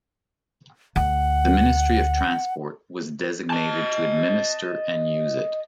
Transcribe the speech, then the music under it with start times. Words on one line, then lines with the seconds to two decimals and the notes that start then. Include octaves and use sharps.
The Ministry of Transport was designated to administer and use it.
0.96 D2 F#5
3.50 D#5 A5